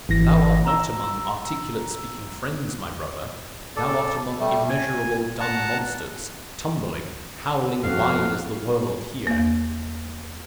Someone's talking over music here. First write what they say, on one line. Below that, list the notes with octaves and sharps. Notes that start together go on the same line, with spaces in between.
Thou art not among articulate-speaking friends, my brother; thou art among immeasurable dumb monsters, tumbling, howling wide as the world here.
G#1 E3 A#6
A#5 E6
A4 D5
G3 A3
G#5
F#5 A5 A#5
F2 C4 F#4 A4 F5
E2 A#3